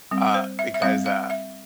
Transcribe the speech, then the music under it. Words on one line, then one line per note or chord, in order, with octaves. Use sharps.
uh, because, uh,
G3 C4
C5
E5
E5
G3 C4 F5
F5
E5